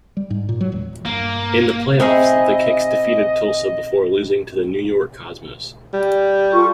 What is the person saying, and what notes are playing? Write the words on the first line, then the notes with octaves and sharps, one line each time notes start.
In the playoffs, the Kicks defeated Tulsa before losing to the New York Cosmos.
G3
G#2
A#2
F#3
E1
G2 A#3
C4 D#4 E4 G#4 D#5
G3
F4 A4 C#6